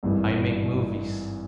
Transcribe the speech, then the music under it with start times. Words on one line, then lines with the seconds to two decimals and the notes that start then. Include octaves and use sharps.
I make movies.
0.03 G#1 G2 E3 G3